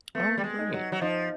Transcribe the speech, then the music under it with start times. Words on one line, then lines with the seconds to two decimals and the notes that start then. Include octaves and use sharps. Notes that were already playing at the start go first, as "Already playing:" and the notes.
Oh, great.
0.15 A3 B3
0.38 G3
0.44 G#3
0.58 D#4
0.73 F#3
0.92 F#3
1.01 F3 D#4